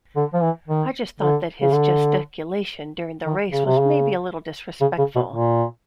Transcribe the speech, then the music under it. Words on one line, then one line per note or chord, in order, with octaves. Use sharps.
I just thought that his gesticulation during the race was maybe a little disrespectful.
D3
F3
E3
D#3
D3
C#3
D3
D#3
C#3
C3
C#3
C#3
C#3
B2
A#2